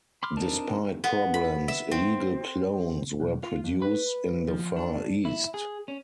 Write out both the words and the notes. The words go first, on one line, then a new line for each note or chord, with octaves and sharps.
Despite problems, illegal clones were produced in the far-east.
B5 C6 D6 F6
C4 D4 D#4 A#4 A5
B3
B5
E5
C4
B1
F4
F2
B4
F3
D4
E4
G#4
C#4